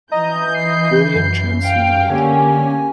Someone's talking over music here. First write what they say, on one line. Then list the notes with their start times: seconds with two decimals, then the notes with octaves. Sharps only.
William Chancey Knight.
0.12 E3 D#5 A#5 G6
0.54 C7
1.15 F#2
1.63 F5 G5
2.10 D3 A#3 C#4 G4 G#5